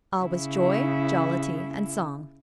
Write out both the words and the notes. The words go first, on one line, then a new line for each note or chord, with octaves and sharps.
All was joy, jollity, and song.
C#3 E4